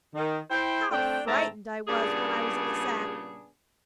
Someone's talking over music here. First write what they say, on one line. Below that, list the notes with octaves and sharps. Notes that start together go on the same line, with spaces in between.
How frightened I was when I was in the sack!
D#3
E4 C5 G5
A3 C4 D4 G5
G#2 A3 C4 E5 A5 A#5
A#2 C#3 G3 B3 D4 G#4